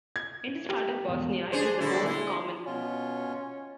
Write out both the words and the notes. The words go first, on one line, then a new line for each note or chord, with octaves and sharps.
In this part of Bosnia it is the most common.
G#6
G4
E1
D4 G#4 C5
A#2 D3 E4
G#3 E4
B2 C#4 F4